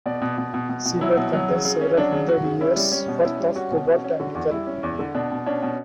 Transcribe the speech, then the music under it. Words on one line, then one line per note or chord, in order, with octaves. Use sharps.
Seabed contains "several hundred years' worth of cobalt and nickel".
B2 D5
B2
B2
B2
B2
B2
F#3 E4
B2
F#3
C#3
C#3
C#4
F#3 D4
C#3
C#3 F#4
C#3
C#4 E4
G3
G3 C#4
B2
C#4 E4
G3
C#4 F#4
B2
C#4 F#4
C#4
D3 F#4
E2
G3 E4
C#4
E2
D3
B2 D4
B2
C#4 D4
B2